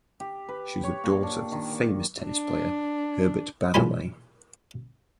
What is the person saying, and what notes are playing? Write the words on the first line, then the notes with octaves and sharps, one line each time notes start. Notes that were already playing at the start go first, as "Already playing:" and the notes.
She was the daughter of the famous tennis player Herbert Baddeley.
G4
B4
C#5
A#2
D4
D#3
C#6
D4
B1 E2 A#2 C5 G#5 B5